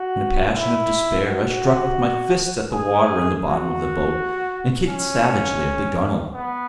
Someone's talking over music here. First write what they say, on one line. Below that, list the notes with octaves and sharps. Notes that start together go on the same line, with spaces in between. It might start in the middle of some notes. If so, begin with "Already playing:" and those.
In a passion of despair I struck with my fists at the water in the bottom of the boat, and kicked savagely at the gunwale.
Already playing: F#4
E4
F#4
G#4
F#4
C#4
B3